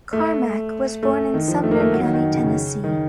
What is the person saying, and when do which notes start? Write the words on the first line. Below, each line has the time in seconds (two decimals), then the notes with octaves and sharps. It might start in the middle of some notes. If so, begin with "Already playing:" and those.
Carmack was born in Sumner County, Tennessee.
0.13 A3
1.03 A3
1.34 D#3
1.48 F3
1.63 A3
1.71 A#3
1.80 A3
1.93 F#3
2.03 D#3
2.13 D#3
2.33 C#3
2.43 C#3
2.84 D#3